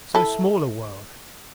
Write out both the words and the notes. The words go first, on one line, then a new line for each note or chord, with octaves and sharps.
So small a world!
E4 A4